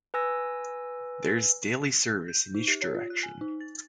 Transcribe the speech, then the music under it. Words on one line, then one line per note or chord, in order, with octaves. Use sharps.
There is daily service in each direction.
B4 G#5 E6 A#6
G6
D#4
G4
C#5
F4
F#6
G#5
D#4
A6